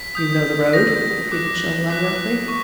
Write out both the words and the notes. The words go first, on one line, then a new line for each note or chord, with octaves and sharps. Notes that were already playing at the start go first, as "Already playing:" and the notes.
"You know the road?" repeated Chauvelin, roughly.
Already playing: B6
D#6 G6
D#6 G6 A#6
D6 F#6
D6 F#6 B6
C#6